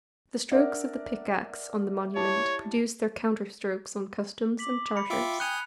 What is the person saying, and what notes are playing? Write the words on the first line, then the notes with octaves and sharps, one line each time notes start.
The strokes of the pickaxe on the monument produce their counter-strokes on customs and charters.
D4 A#4 D5 E5 F#5
E4 G4 C#5 A5
D6 B6 F#7
B5 C#7
F4 E5 G5 D6
G#5 D#6 F#6 G6 C#7 F7